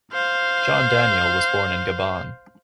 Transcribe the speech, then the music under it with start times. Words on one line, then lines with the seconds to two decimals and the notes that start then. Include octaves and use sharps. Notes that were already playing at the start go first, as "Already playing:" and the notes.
John Daniel was born in Gabon.
0.13 C5 F5